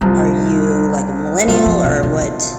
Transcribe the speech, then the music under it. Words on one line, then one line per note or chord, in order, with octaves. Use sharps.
are you, like, a millennial or what
C2 C3 F3 G3
B2 G3 A3 C4 F4
F3
C3
C3
D3